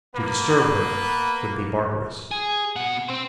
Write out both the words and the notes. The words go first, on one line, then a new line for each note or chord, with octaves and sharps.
To disturb her would be barbarous.
A#3 B3 B4
G#4
B2 F#5
C4 C5